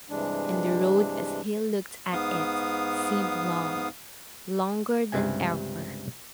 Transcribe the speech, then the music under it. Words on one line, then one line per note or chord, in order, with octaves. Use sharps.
And the road, as he looked at it, seemed long--longer than ever.
G2 C3 E3 G#3 D4
G#2 B3 F5 D#6
C#2 G2 C3 G#5